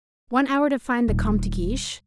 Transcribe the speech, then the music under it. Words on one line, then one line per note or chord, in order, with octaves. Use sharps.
"One hour to find the Comte de Guiche."
D#1